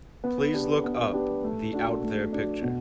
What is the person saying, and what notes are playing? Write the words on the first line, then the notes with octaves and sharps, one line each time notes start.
Please look up the Out There picture.
B3
D4 G4 B4
B3
D4 G4 B4
A3
D4 F#4
A3
D4 F#4
B2